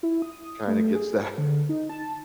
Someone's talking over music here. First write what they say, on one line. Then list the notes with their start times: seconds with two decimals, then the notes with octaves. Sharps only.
kinda gets that
0.03 E4
0.22 D#6
0.68 A3
0.95 G#4
1.38 D3
1.69 D#4
1.89 A5